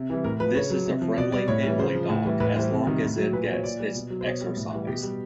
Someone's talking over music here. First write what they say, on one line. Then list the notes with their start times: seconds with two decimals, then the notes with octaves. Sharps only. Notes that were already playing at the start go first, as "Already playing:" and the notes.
This is a friendly family dog, as long as it gets its exercise.
Already playing: C3
0.10 E3 G3
0.24 A2 A#4
0.40 F3 B4
0.55 C#3 C#5
0.70 F#3
0.86 C3
1.02 F3
1.17 B2 D5
1.32 G3 D5
1.48 A2 C#5
1.63 E3 G3
1.79 C#3 C5
1.95 F3
2.09 A2
2.25 E3 G3
2.40 A2 B4
2.55 E3 C5
2.59 G3
2.71 C3
2.87 D#3 G3
3.03 A2
3.18 F#3
3.33 A#2 B4
3.44 C5
3.49 F#3 C#5
3.64 A#2 D5
3.80 G3
3.95 B2
4.10 F#3
4.21 C5
4.26 B2 C#5
4.41 G3
4.57 A2
4.73 E3 G3
4.87 B2 G4
5.03 G3